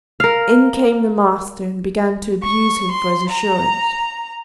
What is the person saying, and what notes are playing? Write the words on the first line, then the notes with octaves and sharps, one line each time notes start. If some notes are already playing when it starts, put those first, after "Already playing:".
In came the master, and began to abuse him for his assurance.
A#4 F5
C#6
C6
A#5